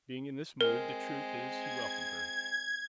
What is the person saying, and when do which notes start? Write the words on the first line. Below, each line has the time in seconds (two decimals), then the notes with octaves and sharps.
Being in this mood the truth is he welcomed her.
0.61 G#3 C4 A#4
1.58 G#6